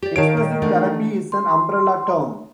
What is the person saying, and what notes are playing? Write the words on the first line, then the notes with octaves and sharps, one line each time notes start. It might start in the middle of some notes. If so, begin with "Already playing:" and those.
Expressive therapy is an umbrella term.
G4 D5
D#3 C#5 F5 A5 D7
A#2
D3 E3 A3
C6